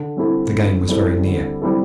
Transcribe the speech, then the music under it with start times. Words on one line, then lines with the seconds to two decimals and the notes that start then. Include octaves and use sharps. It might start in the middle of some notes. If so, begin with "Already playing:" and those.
The game was very near.
Already playing: D3
0.16 G3 C4 E4 A4
0.52 D3
0.88 G3 C4 E4 A4
1.25 D3
1.62 G3 C4 E4 A4